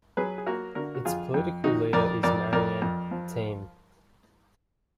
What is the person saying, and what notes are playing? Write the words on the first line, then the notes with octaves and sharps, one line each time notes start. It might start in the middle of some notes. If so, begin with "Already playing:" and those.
Its political leader is Marianne Thieme.
F#3 G#4 B4
G#4
A#3 F#4 A#4
D3 F#4 A#4
F#4
F2 F4 G#4
F2
D#3 D#4 F#4
F2 A#4 D5
F2 A#4 D5
F2 A#4 D5
F2
F3